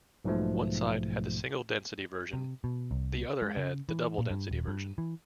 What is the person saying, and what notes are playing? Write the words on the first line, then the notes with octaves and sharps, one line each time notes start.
One side had the single-density version, the other had the double-density version.
B1 G#2 B2 F3 A3
C3
B2
C2
G#3
C#3
E3
A#2
G2
D#1
G2
E3